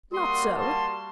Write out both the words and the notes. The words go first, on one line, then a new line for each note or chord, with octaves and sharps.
"Not so."
G3 A#3 F#4 C6 D#6
A5 C6